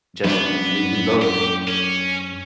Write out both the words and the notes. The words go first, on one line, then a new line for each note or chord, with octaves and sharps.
just we we both
F#2 B3 D4
G4
C#4